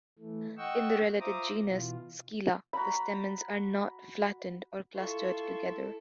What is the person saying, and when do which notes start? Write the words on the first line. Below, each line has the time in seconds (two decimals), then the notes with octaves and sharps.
In the related genus "Scilla", the stamens are not flattened or clustered together.
0.18 E3 A3
0.58 D#5 F#5 G5 C#6 E6
1.20 F4 C5 E5 A#5 D6 D#6
1.66 B2 E3 F4
2.73 F#4 A#5 B5
4.95 E4 F4 A4 C6 C#6